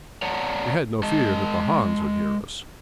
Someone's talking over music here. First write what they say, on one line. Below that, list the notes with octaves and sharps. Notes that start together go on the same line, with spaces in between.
We had no fear that the Hans would hear us.
C#5 D5 F#5 A5 A#5
G#3 D#5 A5